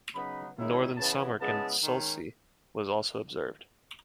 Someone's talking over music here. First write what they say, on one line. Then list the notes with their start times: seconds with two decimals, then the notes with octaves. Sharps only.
Northern Samarkand Sulci was also observed.
0.14 C#3 F#3 B3 D#4 B5
0.56 D#3 G#3 C#4 E4
0.97 C#3 E3 B3 E4 A5
1.39 C#3 G#3 B3 E4 A5
1.81 D#3 G#3 C#4